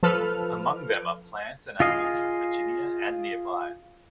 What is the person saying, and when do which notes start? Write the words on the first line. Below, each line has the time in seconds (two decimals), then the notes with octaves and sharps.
Among them are plants and animals from Virginia and nearby.
0.03 F3 A4 B4 F6
1.80 F4 G#4 D#5 F5